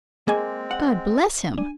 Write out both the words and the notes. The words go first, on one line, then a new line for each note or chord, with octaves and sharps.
God bless him!
G#3 A#3 C4 G#4 D#5 G#5
F#5
D4 G#5